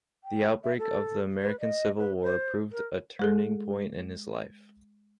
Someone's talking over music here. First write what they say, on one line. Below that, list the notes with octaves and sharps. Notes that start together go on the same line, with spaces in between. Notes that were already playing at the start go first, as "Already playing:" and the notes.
The outbreak of the American Civil War proved a turning point in his life.
G5
E5
A4
B4
D#5
B4
C5
A#4
G#3 G#4 A4